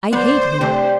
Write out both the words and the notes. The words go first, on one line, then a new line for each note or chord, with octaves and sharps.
"I hate him!"
D2 B3 C5 D5 F#5
C3 A3 D4 G4